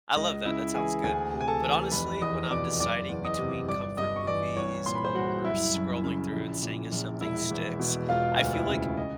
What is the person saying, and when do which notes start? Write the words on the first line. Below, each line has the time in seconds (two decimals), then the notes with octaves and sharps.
I love that, that sounds good. But, honestly, when I'm deciding between comfort movies or scrolling through and seeing if something sticks, I feel like,
0.16 C#2 D#5
0.45 C#3 E4 E5
0.74 E3 G#4 G#5
1.04 D2 G#4 G#5
1.34 C3
1.41 G#5
1.48 A4 A5
1.63 E3
1.92 F1 B4 B5
2.21 E2 D#5 D#6
2.51 B2 D5 D6
2.80 F#1 D5 D6
3.09 E2
3.25 D#5 D#6
3.39 C3
3.68 G1 D5 D6
3.97 G2 D#5 D#6
4.16 C#6
4.27 E3 D5 D6
4.57 C2 C#5 C#6
4.86 A#2 C6
4.95 B5
5.04 C5 C6
5.15 C2 F#4 F#5
5.44 F#1 E4 E5
5.74 F#2
6.04 C#3
6.32 A#1
6.62 A#2
6.92 A#1
7.21 E1 E4 E5
7.51 E2
7.79 B2
8.09 E1 F4 F5
8.38 D2
8.53 E4 E5
8.69 C#3
8.97 D#5